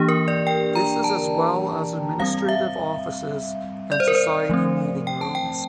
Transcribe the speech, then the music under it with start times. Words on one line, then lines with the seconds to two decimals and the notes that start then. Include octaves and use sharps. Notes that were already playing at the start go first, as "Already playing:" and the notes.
This is as well as administrative offices and society meeting rooms.
Already playing: E3 A#3 D4 G4
0.09 A#4
0.28 D5
0.47 G5
0.75 A#5
1.04 A5
2.20 G3 C4 F5
2.49 E5
3.92 D5
4.00 C5
4.08 A#4
4.15 C5
4.50 F3 A3 C4
5.07 G5
5.21 A5
5.35 G5